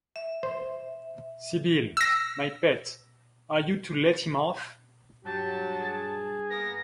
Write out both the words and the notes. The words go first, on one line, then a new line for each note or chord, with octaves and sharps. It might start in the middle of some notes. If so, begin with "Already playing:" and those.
Sybil, my pet, are you to let him off?
E5
C5
E6 A#6
G2 F#3 G4 A5
G#4
A#3 B3 A#4 A#6